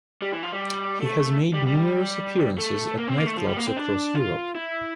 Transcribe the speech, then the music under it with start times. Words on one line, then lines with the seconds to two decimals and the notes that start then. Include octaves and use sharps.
He has made numerous appearances at nightclubs across Europe.
0.22 G3
0.32 E3
0.43 F3
0.52 G3
1.01 A3
1.54 G3
1.67 G3
2.58 A3
2.98 A#3
3.08 C4
3.18 A#3
3.27 A3
3.37 F3
3.47 G3
3.57 A#3
3.67 C4
3.76 D4
4.15 F4
4.55 E4